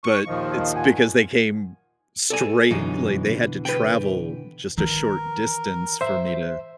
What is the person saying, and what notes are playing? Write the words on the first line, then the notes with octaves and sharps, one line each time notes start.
but it's because they came straight, like, they had to travel just a short distance for me to
C#6
D#2 A#2 D#3 F3 D#5 F5
A#2 F#5 G#5
A4 D5 G#5
F#2 B2 D3 E3 D#4
B4 G5
D#3 E3 A#4
C5 E5